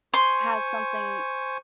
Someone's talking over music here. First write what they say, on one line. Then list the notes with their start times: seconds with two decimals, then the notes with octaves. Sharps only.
has something
0.14 C5 G#5 C6 C#6